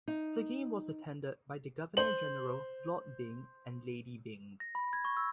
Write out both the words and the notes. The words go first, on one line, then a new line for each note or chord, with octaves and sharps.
The game was attended by the Governor General Lord Byng and Lady Byng.
D#4
C5 F#7
A#6
B5
G#6
C#6
E6